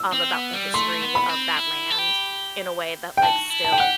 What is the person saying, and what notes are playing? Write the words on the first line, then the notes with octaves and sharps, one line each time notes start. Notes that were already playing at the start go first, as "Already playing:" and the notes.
um, about the history of that land in a way that, like, still
Already playing: E6
C4
B3
G3
A3 C6
B3
B5
C4
E4
A4
G4
G5
F#4 A5
E4
A5
G5
G4 F#5